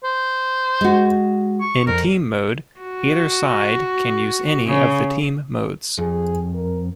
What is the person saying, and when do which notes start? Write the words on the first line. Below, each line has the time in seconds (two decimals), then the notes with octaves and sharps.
In Team mode, either side can use any of the team modes.
0.04 C5
0.81 G#3 F#4
1.61 C#6
1.87 F2 A#4
2.80 F#4
4.65 C#3
5.98 F2 G#4
6.54 A#4